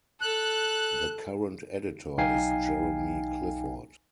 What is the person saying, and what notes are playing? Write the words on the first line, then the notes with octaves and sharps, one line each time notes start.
The current editor is Jeremy Clifford.
A4 F#6
B1 D#4 F5 G5 G#5 C7